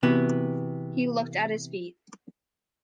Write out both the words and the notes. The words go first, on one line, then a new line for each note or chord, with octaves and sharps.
He looked at his feet.
C3 E3 B3 F#4